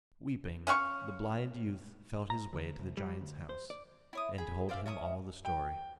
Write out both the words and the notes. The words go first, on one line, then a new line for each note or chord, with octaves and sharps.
Weeping, the blind youth felt his way to the giant's house, and told him all the story.
C#4 F5 F#5 C#6
A#5
D2
C2
G3
D2
C5
D5
E4 C#5 D#6
G#4 B5
C5 D5 E5 F5
C#4 E5 A#5 D#6
G5